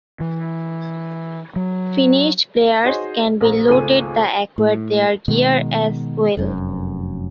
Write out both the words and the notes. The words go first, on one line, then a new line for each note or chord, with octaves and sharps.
Finished players can be looted to acquire their gear as well.
E3
F#3
D#4 F#4 G#4 C5 C#5 D#5
A#1 A#3 A#5
G#1 C#2 A3 F4 G#5 D#7
A2
B2 D#3 G#3
F1 F#2